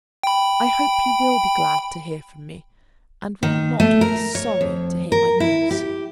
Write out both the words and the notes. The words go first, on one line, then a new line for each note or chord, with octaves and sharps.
I hope you will be glad to hear from me, and will not be sorry to hear my news.
G5 B5
D#3
A3
A#4
C#5
F2
A#4
E4
G4